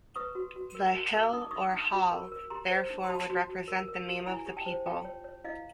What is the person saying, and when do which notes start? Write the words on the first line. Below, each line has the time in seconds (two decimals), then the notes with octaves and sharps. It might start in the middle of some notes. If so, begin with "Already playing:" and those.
The "Hil-" or "Hal-" therefore would represent the name of the people.
0.16 B4 C#6 D#6
0.35 F#4
0.56 F#4
0.75 A#4
0.94 F#4
1.14 A#4
1.33 D#4 D#6
1.42 D6
1.51 D#4 C#6 D#6
1.73 D#4
1.92 F#4 B5 C#6
2.12 A#4
2.32 A#4
2.50 G4 A#5 C6
2.70 C5
2.90 D#4
3.04 C6
3.09 F#4 A5 B5
3.30 F#4
3.49 F#4
3.68 A#4
3.88 A#4
4.07 F#4
4.26 E4 G#5 A#5
4.46 G4
4.57 G5 A5
4.66 C5
4.86 F4 G5 A5
5.05 C#5
5.24 C#5
5.44 E4 D#5 F5